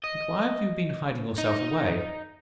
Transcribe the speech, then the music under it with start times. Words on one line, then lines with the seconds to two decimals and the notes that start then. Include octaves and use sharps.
But why have you been hiding yourself away?
0.04 D#5
1.38 D#4